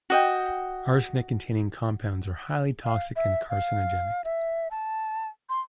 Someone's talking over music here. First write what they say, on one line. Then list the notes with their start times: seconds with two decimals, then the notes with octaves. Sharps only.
Arsenic-containing compounds are highly toxic and carcinogenic.
0.10 F#4 D#5 G5
2.84 F5
3.16 E5
3.50 F5
4.24 E5
4.71 A5
5.49 C6